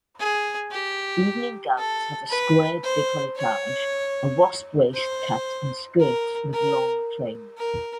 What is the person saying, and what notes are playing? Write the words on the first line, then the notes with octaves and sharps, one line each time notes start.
Evening gowns had a squared decolletage, a wasp-waist cut and skirts with long trains.
G#4
G4
A4
B4
C5
C#5
C5
A#4
A#4
A#4